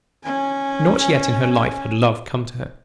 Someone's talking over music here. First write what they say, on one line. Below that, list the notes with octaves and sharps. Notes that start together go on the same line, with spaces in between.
Not yet in her life had love come to her.
C#4 G#5